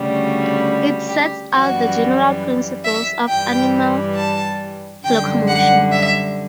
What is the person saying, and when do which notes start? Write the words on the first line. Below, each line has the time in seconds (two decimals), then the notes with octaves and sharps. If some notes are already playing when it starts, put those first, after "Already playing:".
It sets out the general principles of animal locomotion.
Already playing: D2 C#3 G3
1.08 G4
1.52 F#2 E3 G3 F#4
2.84 E5
3.28 G2 E3 G3 G5
4.16 A5
5.04 F#2 D3 G3 G5
5.48 F#5
5.92 E5